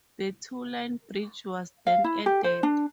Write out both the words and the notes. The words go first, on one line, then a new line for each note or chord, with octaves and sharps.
The two-line bridge was then added.
F5
E4
G4
C5
D4